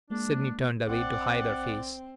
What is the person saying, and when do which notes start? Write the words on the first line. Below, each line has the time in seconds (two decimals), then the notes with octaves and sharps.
Sydney turned away to hide her face.
0.10 G#3 A#3 D4
0.88 B1 C4 D5 F#5 C6